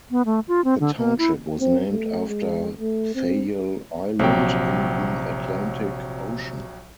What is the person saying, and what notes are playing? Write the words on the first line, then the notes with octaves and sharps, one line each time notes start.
The township was named after Fayal Island in the Atlantic Ocean.
B3
A3
F4
C4
D3
A#3
E4
C4
A3
G#3
A3
C4
A#1 C3 F#3 G5